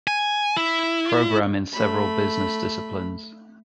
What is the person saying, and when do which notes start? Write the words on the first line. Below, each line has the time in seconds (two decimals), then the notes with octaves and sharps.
Program in several business disciplines.
0.07 G#5
0.57 E4
1.73 A3 B5